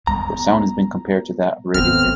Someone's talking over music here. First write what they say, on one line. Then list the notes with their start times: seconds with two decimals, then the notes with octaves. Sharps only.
Their sound has been compared to that of Radiohead.
0.07 G3 B3 A#5
1.74 G#1 D#2 A3 B3 C4 F6